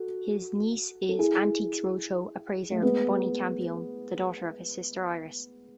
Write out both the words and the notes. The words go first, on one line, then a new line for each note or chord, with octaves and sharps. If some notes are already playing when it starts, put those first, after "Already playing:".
His niece is "Antiques Roadshow" appraiser Bunny Campione, the daughter of his sister, Iris.
Already playing: F#4 A4
A4
E4 G#4
A3
G#3 B3